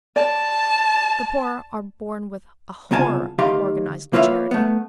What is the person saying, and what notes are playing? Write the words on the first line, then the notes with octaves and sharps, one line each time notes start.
The poor are born with a horror of organized charity.
D5 A5
C2 C#3 B3 F4 G#5 A5
D2 D#3 G4 F5 C6
A#3 F4 B4 C#5 E5 F5
A3 B3